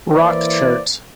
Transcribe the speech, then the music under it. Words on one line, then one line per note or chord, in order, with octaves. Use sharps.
Rock Chart.
E3 A#3 E4 B4 C5 D5